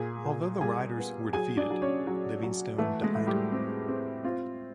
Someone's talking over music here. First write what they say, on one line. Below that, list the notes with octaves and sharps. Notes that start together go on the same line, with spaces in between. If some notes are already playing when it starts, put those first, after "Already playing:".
Although the Riders were defeated, Livingstone died.
Already playing: A#2 G#4 G#5
A#2
G3 G#4 G#5
B3
F#3 G#4 G#5
D4 D5
F#3
C#4 C#5
F#3
F#3
E3 A3 A4
G#3 G#4
A2
G3 G4
C4
C4
C4 F4